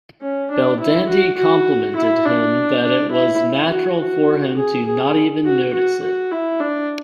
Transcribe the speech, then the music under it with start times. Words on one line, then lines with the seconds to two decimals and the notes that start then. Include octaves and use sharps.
Belldandy complimented him that it was natural for him to not even notice it.
0.22 C#4
0.51 D4
0.80 E4
1.09 F#4
1.38 F#4
1.96 E4
2.25 D4
2.83 D4
3.11 E4
3.70 F#4
3.99 F#4
4.57 G#4
4.86 G#4
5.45 F#4
5.74 F#4
6.03 F#4
6.31 E4
6.60 D4